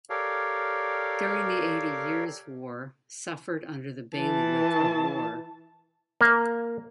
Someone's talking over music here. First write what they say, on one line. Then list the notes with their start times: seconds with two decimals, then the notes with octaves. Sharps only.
During the Eighty Years' War suffered under the bailiwick of war.
0.10 G4 A4 A#4 C#5 D5 F5
4.16 E3 A5
6.21 A#3